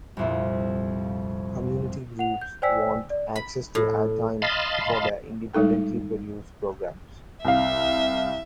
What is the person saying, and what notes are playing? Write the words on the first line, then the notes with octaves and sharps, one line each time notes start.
Community groups want access to airtime for their independently produced programs.
C2 F2 A#2
F#5 F7
G6
C5 D5 G5 G#5 E6 B6
D5
B5
A2
D#5 F5 A5 B5 C6
G3 G#3 D#4 A4 G5
C2 E5 F5